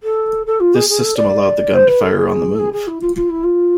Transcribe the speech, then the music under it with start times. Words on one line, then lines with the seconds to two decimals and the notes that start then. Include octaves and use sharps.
This system allowed the gun to fire on the move.
0.03 A4
0.47 A4
0.60 F4
0.75 G#4
0.89 G#4
1.03 A4
1.17 D5
1.74 C5
1.88 B4
2.02 A4
2.16 G#4
2.54 A4
2.59 G#4
2.73 G#4
2.87 E4
3.01 F4
3.16 F4
3.30 E4
3.44 F4